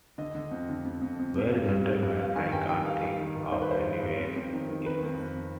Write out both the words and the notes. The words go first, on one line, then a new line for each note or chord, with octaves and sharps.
Well, gentlemen, I can’t think of anywhere else.
D3 D#5
D3
F2
D3
F2
F2
F2
F2
G2
G2
G2
G2
G2 F5
D#3 G#5
G2 G5
D#3 G5
G2 F5
G2
D#3
G2
D#3 C5
B4
G2 C5
G2
G2
F2
F2
D#3
D#3
D#3 B4
F2
F2